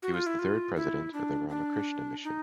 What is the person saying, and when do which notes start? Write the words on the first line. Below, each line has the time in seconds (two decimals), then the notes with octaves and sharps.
He was the third president of the Ramakrishna Mission.
0.02 F#4
0.14 F4
0.26 E4
0.39 F4
0.76 E4
1.13 D4
1.49 D4
2.24 D#4